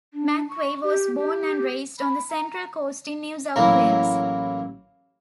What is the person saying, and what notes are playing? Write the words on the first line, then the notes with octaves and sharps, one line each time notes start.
McVeigh was born and raised on the Central Coast in New South Wales.
D4
C#6
G4
G4
B5
A#5
A1 F#3 A#3 E4 A#4